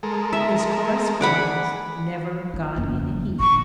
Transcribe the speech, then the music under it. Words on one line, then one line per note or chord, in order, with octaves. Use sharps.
His correspondence never got in a heap.
G#3 A4 A#4
E5
G#4 D5 F#5 B5
F4
F#1 E2
A#2 D3 C#6